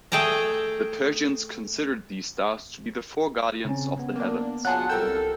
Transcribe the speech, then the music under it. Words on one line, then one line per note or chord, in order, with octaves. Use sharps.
The Persians considered these stars to be the four guardians of the heavens.
A3 G#4 G5 A5 A#5
C#3 C4 C#4
B3
A#3 D4
F#3 F4 G#4 F#5 A5 F#6
C2 A4 A#4 G5 E6 G6